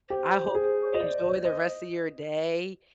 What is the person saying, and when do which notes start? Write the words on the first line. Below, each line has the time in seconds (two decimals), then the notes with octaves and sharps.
I hope you enjoy the rest of your day
0.10 G4 C5
0.55 G#4
0.94 D#5
1.00 D5
1.45 D#5